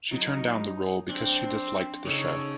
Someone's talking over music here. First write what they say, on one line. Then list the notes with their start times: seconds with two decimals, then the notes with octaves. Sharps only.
She turned down the role because she disliked the show.
0.11 F#3 D#4
1.09 C4 D4
2.05 C#3 D#4 A4 C#5